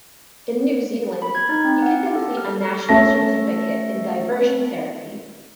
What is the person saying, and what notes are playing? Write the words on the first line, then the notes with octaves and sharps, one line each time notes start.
In New Zealand, you can complete a National Certificate in Diversion Therapy.
B5
G#6
D#4
C4
F#5
G4
A4
F6
A3 C#4 E5 A5 A#6